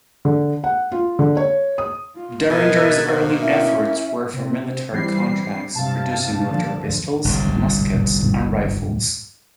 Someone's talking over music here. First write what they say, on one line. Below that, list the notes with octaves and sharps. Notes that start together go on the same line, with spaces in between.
Deringer's early efforts were for military contracts, producing military pistols, muskets and rifles.
D3
F#5
F4
D3
C#5
D#6
F4
B2 A#4 B4 D#5 G#5 A5
A#3 F#4 C5
C#4 E4 E5
C3 C4
E3 G3 C4 C7
G2 C3 F5 A5
A#2 D3 F3
G1 C2 G2